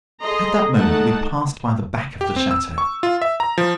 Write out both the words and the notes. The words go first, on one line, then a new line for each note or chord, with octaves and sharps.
At that moment we passed by the back of the chateau.
G#4 A4 D#5 A#5 C6
G#3 A3 D#4 A4 F#5 A5
G4
C4
E6
C#6
F4
E5
A#5
F3